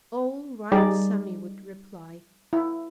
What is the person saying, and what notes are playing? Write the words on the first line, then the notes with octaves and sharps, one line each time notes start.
"All right," Sammy would reply.
G3 D#4 G#4 D5
E4